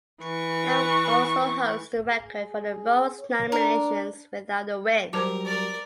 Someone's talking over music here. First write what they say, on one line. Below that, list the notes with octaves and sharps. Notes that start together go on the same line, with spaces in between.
Young also holds the record for the most nominations without a win.
E3 C#6
G#4
C#5
D4 A#4
F#3 G3 A#4 C5 A5 D6
A#4 D5